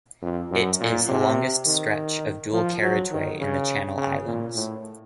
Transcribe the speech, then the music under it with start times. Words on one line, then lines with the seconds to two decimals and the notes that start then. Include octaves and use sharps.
It is the longest stretch of dual carriageway in the Channel Islands.
0.22 F2
0.51 F#2
0.80 A#2
1.09 C3
1.66 D#3
2.53 F3
2.82 F#3
3.11 D#3
3.40 C#3
3.98 C#3
4.26 A#2
4.55 A2